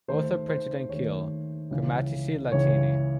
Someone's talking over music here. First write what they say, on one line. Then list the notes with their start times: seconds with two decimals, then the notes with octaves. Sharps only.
Both are printed in Keil, "Grammatici Latini".
0.08 D#2 D#3 A3 C5
0.49 C5
0.89 D#2 D#3 A3 C#5
1.71 C#2 C#3 E3
2.52 C#2 C#3 E3 C#5